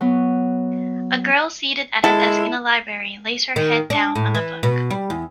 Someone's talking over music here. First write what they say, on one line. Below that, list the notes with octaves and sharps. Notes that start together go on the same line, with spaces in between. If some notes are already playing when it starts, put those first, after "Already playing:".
A girl seated at a desk in a library lays her head down on a book.
F#3 B3
G#3 E4 A4
D#3
D4
A2
E3
B2
G3
E2